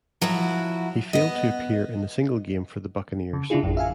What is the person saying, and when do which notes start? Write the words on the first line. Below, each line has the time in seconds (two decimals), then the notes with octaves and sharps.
He failed to appear in a single game for the Buccaneers.
0.21 F3 F#3 E4 F#4
1.13 B3 D#5
3.33 C#3
3.50 C#3 A#3 D4 E4 F4 G#4
3.63 A1 F#2
3.77 E5 F5 G#5